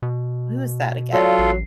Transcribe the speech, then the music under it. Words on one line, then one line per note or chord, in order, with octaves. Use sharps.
Who is that again?
B2
F#3 F4 A4 C#5 D5 F5
A1 C7